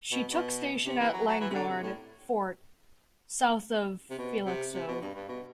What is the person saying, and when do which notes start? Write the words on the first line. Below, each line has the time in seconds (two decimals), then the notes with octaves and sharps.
She took station at Landguard Fort, South of Felixstowe.
0.12 B2
0.30 B2
0.86 C3
0.99 E3
1.13 F#3
1.27 F#3
1.40 E3
1.50 C3
1.54 D3
1.69 C3
1.82 A2
4.10 C3
4.18 B2
4.45 C3
4.74 C3
4.88 B2
5.01 G2
5.15 G2
5.28 B2